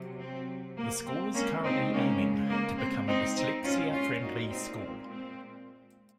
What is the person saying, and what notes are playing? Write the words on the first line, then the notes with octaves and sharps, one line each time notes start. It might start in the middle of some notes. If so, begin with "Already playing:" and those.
The School is currently aiming to become a Dyslexia Friendly School.
Already playing: C3 F#3
C4
A#3
C4
C#3 G#3 A#3 C#4
C4 D#4
A#3 C#4
A#3
C4
C4 D#4
C4 D#4
A#2 G#3 C#4 F4
C#4 F4
D#4 F#4
C4 D#4
C4
C4